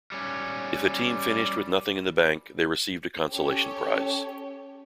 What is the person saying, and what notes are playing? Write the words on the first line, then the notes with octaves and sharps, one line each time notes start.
If a team finished with nothing in the bank, they received a consolation prize.
G3 C#4
C#4 G4 A4 C#5